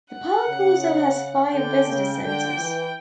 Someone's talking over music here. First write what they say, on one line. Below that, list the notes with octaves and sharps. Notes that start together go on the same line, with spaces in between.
The park also has five visitor centres.
F#5
C#3
D3 G5
C#3
D3 G5
E3